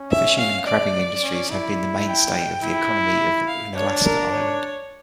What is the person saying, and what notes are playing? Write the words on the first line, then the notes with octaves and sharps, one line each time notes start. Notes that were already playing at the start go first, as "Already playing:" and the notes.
Fishing and crabbing industries have been the mainstay of the economy of Unalaska island.
Already playing: C#4
E5
F5
D5
C#4
E4
G5
E4
F5
D4 C#5
A#4
C#5